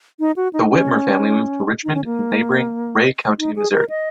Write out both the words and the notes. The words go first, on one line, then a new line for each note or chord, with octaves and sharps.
The Whitmer family moved to Richmond in neighboring Ray County, Missouri.
D#4
F#4
D#4
C#4
D#4
C#4
A#3
D#4
G#4
A#4
D#5